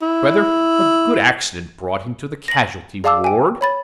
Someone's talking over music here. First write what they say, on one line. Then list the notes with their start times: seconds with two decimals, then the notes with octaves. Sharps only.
Rather a good accident brought into the casualty ward.'
0.02 E4
2.48 A#6 F#7
3.04 G#4 D5 F5 A5 D6 E6
3.24 G5 G#5
3.61 C#5 B5 A6